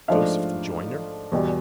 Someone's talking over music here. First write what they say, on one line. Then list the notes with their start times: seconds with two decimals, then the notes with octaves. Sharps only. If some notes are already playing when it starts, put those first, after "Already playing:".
Joseph the Joiner?
0.08 G#2 F3 A3 D4 F5
1.32 E2 B2 G3